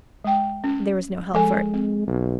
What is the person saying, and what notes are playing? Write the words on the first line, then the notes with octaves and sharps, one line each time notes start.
There was no help for it.
G#3 G5
C#4
F3 G#3 A4 G#5
C4
B1